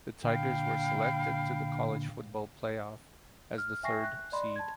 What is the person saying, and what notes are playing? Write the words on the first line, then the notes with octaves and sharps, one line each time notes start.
The Tigers were selected to the College Football Playoff as the third seed.
A#2 D3 F5 G5 B5
F6
E5 G5 G#5 C#6 A#6 C7
F#6
D5 D#5 B5 C6
A5 G#6